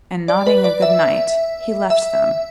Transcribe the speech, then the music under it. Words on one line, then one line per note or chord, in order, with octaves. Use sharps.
And nodding a good-night he left them.
D5
B4
D5
E5
E5